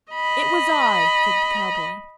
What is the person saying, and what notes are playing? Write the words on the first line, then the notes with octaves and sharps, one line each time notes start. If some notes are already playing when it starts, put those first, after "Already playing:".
"It was I," said the cowboy.
D#5 B5